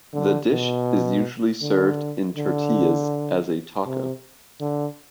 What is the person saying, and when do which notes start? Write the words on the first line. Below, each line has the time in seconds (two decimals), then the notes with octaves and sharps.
The dish is usually served in tortillas as a taco.
0.13 D3
0.50 B2
1.62 D3
2.37 D3
3.86 C3
4.61 D3